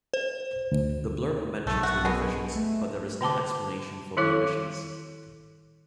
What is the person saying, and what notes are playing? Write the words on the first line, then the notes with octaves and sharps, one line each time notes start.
The blurb mentions the revisions, but there is no explanation for the omissions.
C5
D2
B1 A3
F#4
G#3 B3
A3
D3 G5 A5 D6
D#3 G3 E4 A4 C#5 D6